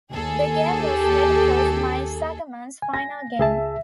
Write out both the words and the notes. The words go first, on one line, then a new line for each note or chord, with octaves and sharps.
The game was Head Coach Mike Zuckerman's final game.
D#2 G#4 A4
G4
G#5
A#6
C#2 G#4 E5 A5